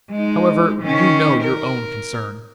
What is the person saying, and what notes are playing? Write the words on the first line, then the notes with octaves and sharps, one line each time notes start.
However, you know your own concern.
G#3 D#4
D#3 C#4
A#4